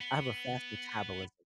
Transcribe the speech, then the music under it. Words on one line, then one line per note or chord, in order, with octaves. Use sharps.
I have a fast metabolism
B3